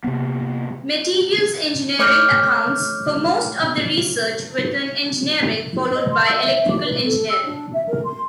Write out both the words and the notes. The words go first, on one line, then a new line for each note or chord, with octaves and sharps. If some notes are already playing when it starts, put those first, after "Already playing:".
Materials engineering accounts for most of the research within engineering, followed by electrical engineering.
C3 A#3 B3
A3 C#5 D6 F6 G6
D#5
C6
E6
E5
D6
B4
A4
E6
D4
E5
A#4
C6